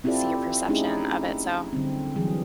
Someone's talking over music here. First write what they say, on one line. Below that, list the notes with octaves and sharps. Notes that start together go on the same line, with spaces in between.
see your perception of it, so I
C4 E4 F4 G4 A4 D5
A3 C#4 D#4 E4 G4 G#4
D3 F#3 G3 C4
D3 E3 F#3 G3 G#4